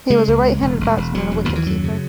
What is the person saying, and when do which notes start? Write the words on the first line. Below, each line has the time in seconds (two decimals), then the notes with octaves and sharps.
He was a right-handed batsman and a wicket-keeper.
0.10 C#3 G#3
0.28 C#2
0.45 C#3
0.62 E1
0.80 E1
0.97 E1
1.14 E1 F#3
1.31 E1
1.45 D#2 D#3
1.56 E3
1.66 F#2 F#3
1.84 C#3